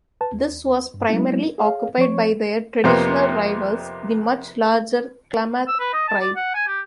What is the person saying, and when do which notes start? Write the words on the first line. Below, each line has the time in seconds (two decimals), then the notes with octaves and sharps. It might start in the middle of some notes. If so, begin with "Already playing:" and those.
This was primarily occupied by their traditional rivals, the much larger Klamath tribe.
0.21 B4 A5
0.32 D#2
0.94 G2
1.09 F#3 G#3 A#3 B3 C#4 E4
1.58 G#4 C#5 F5
1.98 F3 C4 C#5 C#6
2.84 F2 C3 A#3 B3
5.68 E6
5.80 B4
5.93 D#5
6.08 A5
6.21 D5
6.36 F#5
6.54 G#5
6.67 G4